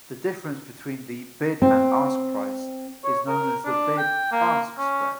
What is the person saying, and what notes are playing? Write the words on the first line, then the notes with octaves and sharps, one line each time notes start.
The difference between the bid and ask price is known as the bid-ask spread.
C4
C#5
A#4
D4
G5
A#3
C#4